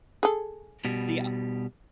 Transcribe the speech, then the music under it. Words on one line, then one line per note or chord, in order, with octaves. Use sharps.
See, uh
G#4 A4
B2 G3